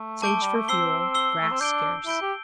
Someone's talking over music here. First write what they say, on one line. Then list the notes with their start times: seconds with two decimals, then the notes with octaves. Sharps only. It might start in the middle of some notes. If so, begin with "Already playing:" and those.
Sage for fuel; grass scarce.
Already playing: A3
0.22 A5 D6 G6 D7 G7
0.42 G3
0.56 A3
0.68 C4 E6 C7 G7
1.15 E6 C7 G7
1.42 A3
1.51 C4
1.61 D4 G6 D7 G7
2.06 E4 G6 D7 G7
2.22 G4